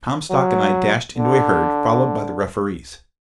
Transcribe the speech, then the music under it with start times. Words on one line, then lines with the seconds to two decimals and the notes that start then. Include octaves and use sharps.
Comstock and I dashed into a herd, followed by the referees.
0.30 F#3
1.17 D3